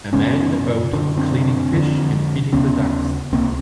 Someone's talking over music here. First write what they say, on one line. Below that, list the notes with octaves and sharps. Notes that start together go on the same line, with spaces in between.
A man in a boat cleaning fish and feeding the ducks.
F#2 C#3 B3 C#4
F#2 D3 D4
C4 D4
F2 D3
D#2 C#3 B3 C#4
C#2 C3 A#3 C4